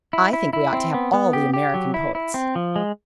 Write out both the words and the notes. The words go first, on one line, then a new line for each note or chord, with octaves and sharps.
I think we ought to have all the American poets.'
E4
E4
E4
C4
B3
B3
G4
G4
F#3
E4
E4
C4
F3
G#3